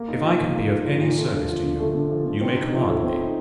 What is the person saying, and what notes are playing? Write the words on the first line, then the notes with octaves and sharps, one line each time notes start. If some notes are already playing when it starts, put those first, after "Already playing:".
If I can be of any service to you, you may command me.
Already playing: A#3
D#4
F3
A#2
A#3
D#4
F3
A#2
A3
D3
F3
D3
A3
D3
F3
D3
C4
D#4
F3
A2
C4
D#4